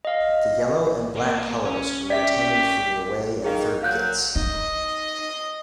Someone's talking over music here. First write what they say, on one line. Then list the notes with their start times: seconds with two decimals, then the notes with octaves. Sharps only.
The yellow and black colours were retained for the away and third kits.
0.05 D#5 F5
1.16 A#3 B3
1.65 C#4
2.10 G4 D5 E5 B6
3.44 D#3 G#4 F5
3.83 A#2 F#3 F5 F#6 G6
4.35 D#4 D#5